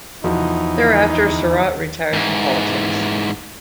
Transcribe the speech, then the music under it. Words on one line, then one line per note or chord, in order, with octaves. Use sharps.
Thereafter Sarraut retired from politics.
E2 F3 D#4 F#4
G#2 E3